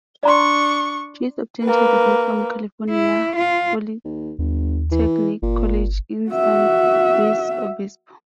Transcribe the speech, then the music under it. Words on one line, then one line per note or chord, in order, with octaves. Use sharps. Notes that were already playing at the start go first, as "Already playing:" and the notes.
Chase obtained her degree from California Polytechnic College in San Luis Obispo.
D4 D5 A#5 C6 C#6
A#3 B4
E4
F4
D#2
G1 D#2
E3
G1 A#2
F#4 E5